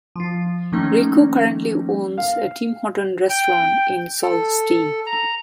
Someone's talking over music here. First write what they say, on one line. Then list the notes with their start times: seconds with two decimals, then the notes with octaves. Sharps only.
Rico currently owns a Tim Hortons restaurant in Sault Ste.
0.16 F3 F4
0.72 D#3 F3 A3 A#3 C#4 D#4
2.18 F5
3.30 G5
4.22 A4
5.06 A#5